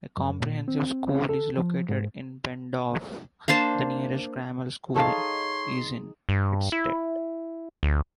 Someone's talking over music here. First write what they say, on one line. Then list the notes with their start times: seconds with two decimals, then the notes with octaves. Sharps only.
A comprehensive school is located in Benndorf, the nearest grammar school is in Hettstedt.
0.17 F#2
0.40 A#2
0.68 C4
1.29 A4
1.57 F3
1.89 G#2
3.48 A#3 D4 C5 A5
4.96 D#4 G#4 A4 C#5 F5 C6
6.29 G2
6.72 E4
7.83 D2